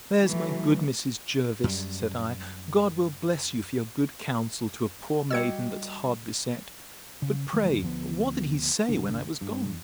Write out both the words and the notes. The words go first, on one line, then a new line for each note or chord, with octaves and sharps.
There's my good Mrs. Jervis! said I; God will bless you for your good counsel to a poor maiden, that is hard beset. But pray what did he say, when I was gone?
E3 F#3 A3
F#2 G3
G3 F#4 G4 D#5 E6 G#6 C#7
C#3
E1 D#3 G#3 A3
D2 F3 G#3 B3
G1 C2 D4
G2